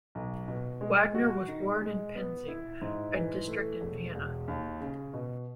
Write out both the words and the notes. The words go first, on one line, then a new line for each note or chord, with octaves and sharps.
Wagner was born in Penzing, a district in Vienna.
B1
B2
G#3
F#4
D#3
G#3
B3
E4
G#2
E3
A3
E1
E1
D#2
C#3
B2